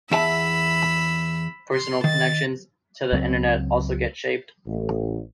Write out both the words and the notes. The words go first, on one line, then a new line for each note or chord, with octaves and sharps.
Personal connections to the internet also get shaped.
E2 E5 A5 B5 E6
C6
D#3 A6
C#2 C#3 F#3 C4
A1